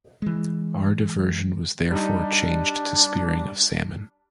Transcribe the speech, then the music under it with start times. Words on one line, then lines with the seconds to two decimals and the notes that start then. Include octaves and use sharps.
Our diversion was therefore changed to spearing of salmon.
0.22 E3 G#3
1.92 G3 D4 D#4